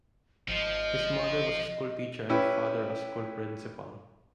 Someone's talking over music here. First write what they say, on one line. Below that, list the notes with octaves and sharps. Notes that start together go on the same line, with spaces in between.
His mother was a school teacher and father a school principal.
G#1 F3 D#5
C#4 E4 G4 B4